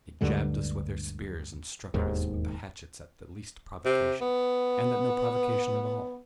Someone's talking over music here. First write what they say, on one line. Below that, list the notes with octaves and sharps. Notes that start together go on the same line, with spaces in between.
They jabbed us with their spears and struck at us with the hatchets at the least provocation, and at no provocation at all.
D2 G2 D3 G#3
E1 D#2 G#2 D#3
C3
B3